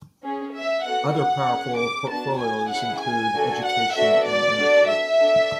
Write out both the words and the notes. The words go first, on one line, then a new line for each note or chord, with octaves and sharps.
Other powerful portfolios include Education and Energy.
C#4 G#4
E5
B3 F#4 A4 F#5
F#5
C#4 G#4
D6
B3 D4 F#4 A5
G#5
C#4 E4 G#4 F#5
G#5
D4 F#4 A4
F#5
B3 D4 F#4 A4 E5
D5
D4 F#4 A4
E5
D4 A4